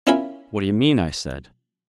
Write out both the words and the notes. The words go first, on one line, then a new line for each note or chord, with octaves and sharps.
"What do you mean?" I said.
C#4 E4 F4 A#4 G#5 B5